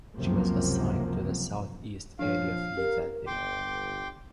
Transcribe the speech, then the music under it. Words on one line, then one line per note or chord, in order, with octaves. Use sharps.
She was assigned to the Southeast Area Fleet that day.
C#2 F#2 C3 F3 F#3 A#3
A#2 F3 D4 C#5 F5
G4 A#4
G1 G5 C6 D6